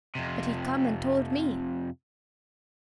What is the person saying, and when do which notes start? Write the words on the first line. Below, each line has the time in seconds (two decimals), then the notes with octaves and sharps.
But he come and told me.
0.15 F2 C3